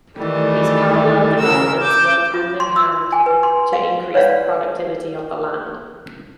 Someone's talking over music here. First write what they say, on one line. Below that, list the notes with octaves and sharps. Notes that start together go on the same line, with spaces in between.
These parallel developments worked hand in hand to increase the productivity of the land.
D#3 E3 G3 A3
C#3 A#4 E6
D6 E6 G6
F4
C6
E6
G#5
B4
C6
F5
B4 C#5 D5 F5 F#5